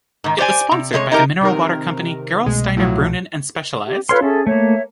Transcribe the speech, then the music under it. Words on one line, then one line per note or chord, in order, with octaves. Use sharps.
It was sponsored by the mineral water company Gerolsteiner Brunnen and Specialized.
G#2 D#3
G4 C5 D5 G#5
C3
C3 G#3 C5 C#5
D#4 E4 G4 A#4
C3 D#3 A#4
C2 B2 G#3 A3
A2 F3 F#3
G4
F4 A4 B4 C#5 C6 F6
C#4 G#4 A4 E5
A3 A#3 C#5 E5